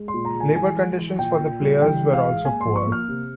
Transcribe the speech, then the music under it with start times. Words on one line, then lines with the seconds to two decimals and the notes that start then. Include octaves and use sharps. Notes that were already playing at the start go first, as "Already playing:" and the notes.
Labour conditions for the players were also poor.
Already playing: G#3
0.08 C6
0.14 A#2
0.25 A#5
0.35 G#3
0.40 G#5
0.56 E3 G#5
0.76 G#3
0.98 E3
1.19 A#2 G5
1.40 A#2
1.61 G3
1.82 E3 G5
2.03 G#3
2.13 F5
2.24 G#3
2.45 A#3 G#5
2.61 F3 C6
2.76 C#6
2.87 A#3
2.92 F6
3.08 C3